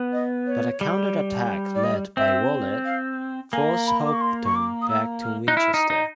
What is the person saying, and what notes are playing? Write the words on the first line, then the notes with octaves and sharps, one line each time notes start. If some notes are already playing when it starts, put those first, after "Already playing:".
But a counter-attack led by Waller forced Hopton back to Winchester.
Already playing: B3
D#5
C#5
G3
D5
D#5
C4 E5
F5
A#3 G#5
A#5
B5
D6
C#6
C6
C#6
D6
D#6
E6
F6
D#4 F#6
E4 F6
D#4
D#4